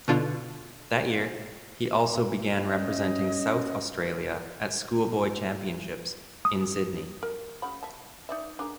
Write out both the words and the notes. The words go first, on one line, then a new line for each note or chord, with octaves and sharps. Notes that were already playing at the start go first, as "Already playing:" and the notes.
That year he also began representing South Australia at schoolboy championships in Sydney.
B2 D3 D4 F4
C#4 D#5
D#6
A#4
C#3 F#4 B5
E5 A5
D#4 D5 E5
D4 G#4 A#4